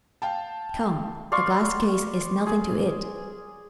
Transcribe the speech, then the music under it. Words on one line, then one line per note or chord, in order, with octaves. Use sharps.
Come, a glass case is nothing to it.
F5 G5 A5
D5 F5 C6 C#6
G#4